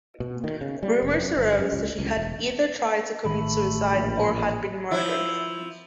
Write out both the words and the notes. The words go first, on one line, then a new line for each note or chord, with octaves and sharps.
Rumors arose that she had either tried to commit suicide or had been murdered.
B2
D#3
C#3
G3
F1
F#2
G1
F#2
C#2
C#2
E1
A1 D#3 A3 B5
A#1
F3 E4